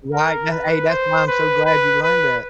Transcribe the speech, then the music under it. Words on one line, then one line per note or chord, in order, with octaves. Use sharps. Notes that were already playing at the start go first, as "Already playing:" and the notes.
Right, na hey, that's why I'm so glad you learned that.
A#4
B4
C5
B4
B4
B4